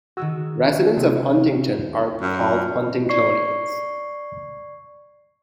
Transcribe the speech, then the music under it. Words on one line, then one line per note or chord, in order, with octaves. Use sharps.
Residents of Huntington are called Huntingtonians.
D#3 G#3 F#4 G#4 E6
C3 D#4 F#4 E5
F#2
D5 C#6 C7